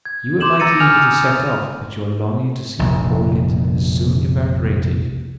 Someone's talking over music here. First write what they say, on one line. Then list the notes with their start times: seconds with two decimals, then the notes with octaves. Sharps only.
You were mighty eager to set off, but your longing to see poor Linton has soon evaporated!'
0.05 G#6
0.40 C6 D6 G6 E7 F#7
0.60 A#5 E6 A6 A#6 C#7 D#7
0.80 G#5 D#6 F6 G6 F7
2.79 F1 A#1